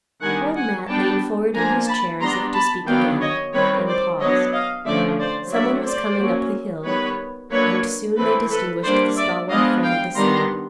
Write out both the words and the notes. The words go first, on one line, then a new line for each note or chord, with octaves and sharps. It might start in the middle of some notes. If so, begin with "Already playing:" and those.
Old Matt leaned forward in his chair as if to speak again; then paused; someone was coming up the hill; and soon they distinguished the stalwart form of the son.
D#3 G3 B3 D4 F#5 G#5
F#5 G#5
G3 B3 D4 G5 A5
F3 A#3 D4 G#5 A#5
A5 B5
G3 B3 D4 A#5 C6
A5 B5
D#3 F#3 B3 D4 F5 G5
C#5 D#5
D#3 G3 C4 B4 C#5
C5 D5
F#3 B3 D4 C#5 D#5
D#5 F5
D3 F3 A3 C#4 D5 E5
C5 D5
F#3 A3 D4 D5 E5
C5 D5
F#3 A#3 C#4
D#3 G3 B3 B4 C#5
F#3 A#3 D4 B4 C#5
E3 A3 C4 A4 B4
A4 B4
G3 A#3 D4 C5 D5
D5 E5
F3 G#3 B3 D4 D#5 F5
F5 G5
D#3 G3 B3 D4 A#5 C6